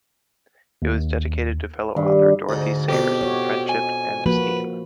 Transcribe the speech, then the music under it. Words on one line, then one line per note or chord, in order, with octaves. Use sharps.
It was dedicated to fellow author Dorothy Sayers in friendship and esteem.
D#2
G2 D#3
D2 G#2
F2 B2 D4 G4
F#4 C#5
G#5
F3 A#3 F#4 B4